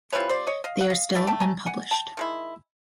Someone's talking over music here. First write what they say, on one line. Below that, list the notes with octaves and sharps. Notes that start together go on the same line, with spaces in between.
They are still unpublished.
E3 G3 C4 F4 B4 C#5
C5 D5
C#5 D#5
D#5 F5
F#5
D#5 F5
E3 A3 D4 D5 E5
G5 A5
G#5 A#5
F#5 G#5
G5 A5
D#3 G#3 E4